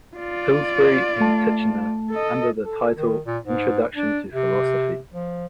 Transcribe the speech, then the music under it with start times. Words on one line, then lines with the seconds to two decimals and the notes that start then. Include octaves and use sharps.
Pillsbury and Titchener under the title Introduction to Philosophy.
0.17 F4 D5
1.21 A3 A5
2.10 A4 D#5
2.63 A4
2.97 D#3
3.26 A#2
3.45 G#2
3.96 D4
4.33 C3
5.13 F3